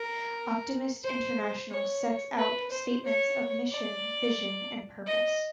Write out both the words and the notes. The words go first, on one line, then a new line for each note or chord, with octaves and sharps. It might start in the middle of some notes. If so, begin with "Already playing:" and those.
Optimist International sets out statements of mission, vision and purpose.
Already playing: A#4
C5
C#5
B4
C5
C#5
D5
D#5